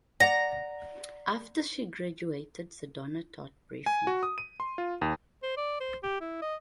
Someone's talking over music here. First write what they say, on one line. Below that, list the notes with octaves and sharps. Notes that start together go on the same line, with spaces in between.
After she graduated Sedona taught briefly.
D5 F#5 A#5
G#5
F#4
D#6
D#7
C6
F4
D#2
C5
D5
C5
G4
E4
D#5